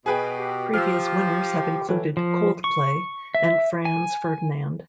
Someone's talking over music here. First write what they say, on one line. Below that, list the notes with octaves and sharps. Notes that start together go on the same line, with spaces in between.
Previous winners have included Coldplay and Franz Ferdinand.
B2 G#4 B4 G5
G4
F3 E6 F6
A2 E3
F3
C#6
E5
G#5